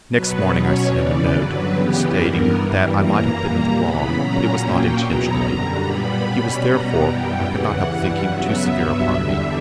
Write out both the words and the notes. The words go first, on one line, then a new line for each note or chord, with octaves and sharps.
Next morning I sent him a note, stating, that I might have been in the wrong, but it was not intentionally; he was therefore, I could not help thinking, too severe upon me.
B2 F#3 B3 B4
B2 F#3 C#4 C#5
E2 C#3 E3 D5
G2 D3 F#3 B4
C#3 E3 B3 G4
G2 E3 B3 A#4
G2 E3 G3
F#2 E3 A#3 A#5
A#2 G3 A#3 A#5
C#3 E3 B3 B5
A#2 F#3 C#4 A#5
A#2 F#3 A#3 C#4 G5
E2 B2 F#3 B3 A#5
F#2 D3 G3
A#2 G3 B3 B5
B2 G3 C#4
B2 G3 B3 A#5
F#2 E3 G3 B3 G5
E2 C#3 E3 F#5
G2 E3 G3
C#3 F#3 B3 E5
G2 F#3 B3 E5
E2 D3 G3